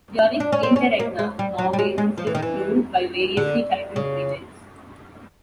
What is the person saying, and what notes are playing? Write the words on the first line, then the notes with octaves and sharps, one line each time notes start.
During interregna, Norway has been ruled by variously titled regents.
D4
C#4
C4
C#4
A#3
G#3
G3
F#3
G3
G#3
G#3
F3
E3
D#3
E3
D3
C#3